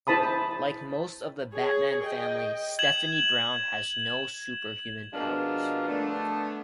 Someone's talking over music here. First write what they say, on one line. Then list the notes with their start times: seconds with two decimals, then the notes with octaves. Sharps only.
Like most of the Batman family, Stephanie Brown has no superhuman powers.
0.07 E4 C5 A5 B5 D#6
1.53 G#4 C#5
2.00 D#5 G5
2.79 G#6 E7 F#7
5.13 B2 F3 G#3 A#3 B3 D4
5.88 D3 A3 B3 D4